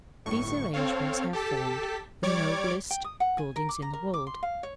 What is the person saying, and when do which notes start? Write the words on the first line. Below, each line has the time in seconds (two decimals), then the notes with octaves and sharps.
These arrangements have formed the noblest buildings in the world.
0.25 G1 A2 C#6
0.74 C4 A4 C#5 F5
1.33 G4 A4 A5 B6
2.23 G3 C#5 D5 D6 G#6
2.90 G5
3.04 D#6
3.20 F#5
3.38 G#5
3.56 A#4
3.69 D6
3.82 A#5
3.93 A#4
4.14 D6
4.27 C6
4.43 F5
4.63 C#5